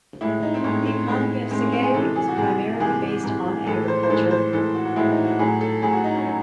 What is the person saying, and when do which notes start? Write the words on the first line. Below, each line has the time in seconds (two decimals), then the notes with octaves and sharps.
The economy of Sagae is primarily based on agriculture.
0.21 A2 G#3 E4
0.43 D#4
0.54 C4
0.64 A2 G#3 C#4
0.86 C4
1.08 A2 G#3
1.51 A2 G#3 C4
1.61 C#4
1.72 C4
1.83 G#4
1.94 C3 E3 G#3 A4
2.16 G#4
2.28 F#4
2.37 C3 E3 G#3 G#4
2.80 C3 E3 G#3 G#4
3.23 C3 E3 G#3
3.66 A2 E3 G#3 A4
3.88 C5
4.03 C5
4.10 A2 E3 G#3 A4
4.31 C5
4.53 A2 E3 G#3 A4
4.75 F#4
4.85 F#4
4.96 A2 E3 G#3 E4
5.10 D#4
5.25 F#4
5.39 A2 F#3 G#4
5.61 A4
5.82 A2 F#3 G#4
5.93 F#4
6.04 D#4
6.15 C#4
6.26 F#3